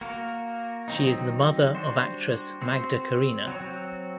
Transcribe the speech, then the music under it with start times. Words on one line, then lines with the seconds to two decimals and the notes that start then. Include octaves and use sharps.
She is the mother of actress Magda Karina.
0.01 A#3 F#4 A#4
0.88 D#3 F#3 C4 D#4
1.75 G3 D4 F#4 C5
2.62 C4 F#4 C5
3.48 F#3 C4 F#4